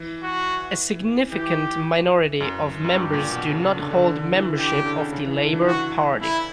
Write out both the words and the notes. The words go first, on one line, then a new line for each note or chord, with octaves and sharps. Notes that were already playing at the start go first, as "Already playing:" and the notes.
A significant minority of members do not hold membership of the Labour Party.
Already playing: E3
F#4
E3 G4
F#2
F#2
G2 G4
A#2
B2
C#3
C#3
D3
D3
D3
D3
E3
E3
D3 G4
C#3
D3
C#3
C#3
E3
D3
E3
F#4
E4